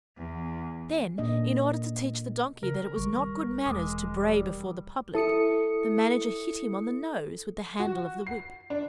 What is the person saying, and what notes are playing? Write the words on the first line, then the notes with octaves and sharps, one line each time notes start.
Then, in order to teach the Donkey that it was not good manners to bray before the public, the Manager hit him on the nose with the handle of the whip.
E2
A#2 A#3 D4 D#5
C#3 A#4
G#1 G3 C#6
E1 G#3 D6 D#6
G3
E4 A4 D#6 C#7
F#4
C7
D4